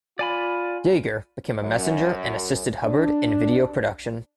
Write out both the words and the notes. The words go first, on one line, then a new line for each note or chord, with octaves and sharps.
Yager became a messenger and assisted Hubbard in video production.
F4 D5 G#5 B5
F#2
D4